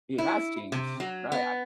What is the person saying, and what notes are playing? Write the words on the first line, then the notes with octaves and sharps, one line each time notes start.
He has changed. Right I
E4
C3
F#3
B3